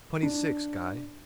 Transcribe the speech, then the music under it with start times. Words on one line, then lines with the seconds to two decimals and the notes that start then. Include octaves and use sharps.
"Twenty-six, Guy."
0.23 D4